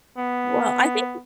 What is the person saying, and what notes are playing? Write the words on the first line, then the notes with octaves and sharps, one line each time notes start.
Well, I think
B3